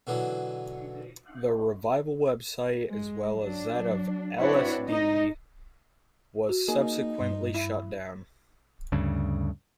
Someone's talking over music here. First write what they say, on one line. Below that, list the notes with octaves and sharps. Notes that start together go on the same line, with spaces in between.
The revival web site, as well as that of "Ellesdee", was subsequently shut down.
B2 D3 E3 F#3
G#3
F#3 D4
C4 D4 E4 F#4 B4 C#5
D#4 D#5
F#4
A#3 D#4 G#4
G2 C6
E4
D2 G2 C#3